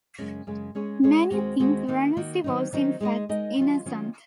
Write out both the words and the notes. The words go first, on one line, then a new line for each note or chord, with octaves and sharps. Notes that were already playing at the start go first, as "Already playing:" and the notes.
Many think Ranucci was in fact innocent.
F#2 C#3 G#3 C#4
F#2 C#3 G#3 C#4
G#3 C#4 G#4 C#5
G#3 C#4 G#4 C#5
D#2 D#3 G#3 C4 F#4
D#2 D#3 G#3 C4 F#4
D#3 A#3 D#4 F#4
D#3 A#3 D#4 F#4
D#3 F#3 C4 D#4
D#3 F#3 C4 D#4
G#3 D#4 A#4 D#5
G#3 D#4 A#4 D#5
D#3 F#3 C#4 F4
D#3 F#3 C#4 F4